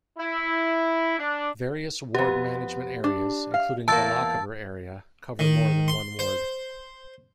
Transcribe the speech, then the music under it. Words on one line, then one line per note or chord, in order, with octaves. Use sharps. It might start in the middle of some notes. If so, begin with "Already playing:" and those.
Various ward management areas, including the Lochaber area, cover more than one ward.
E4
D4
F2 B3 G4
D4
F5
E2 A#3 A5 E6 A6
D#3
C6
C5